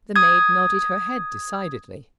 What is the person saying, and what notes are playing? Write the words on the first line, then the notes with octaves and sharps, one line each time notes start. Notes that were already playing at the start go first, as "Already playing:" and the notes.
The maid nodded her head decidedly.
D#6 G#6